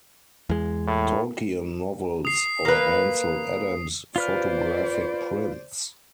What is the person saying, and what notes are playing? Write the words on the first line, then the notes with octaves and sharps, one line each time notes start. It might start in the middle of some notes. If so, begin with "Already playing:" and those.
Tolkien novels, or Ansel Adams photographic prints.
E2 G#3
A2
D#6 C7
A#3 B4 C7
F4 B4 C5 D5 F6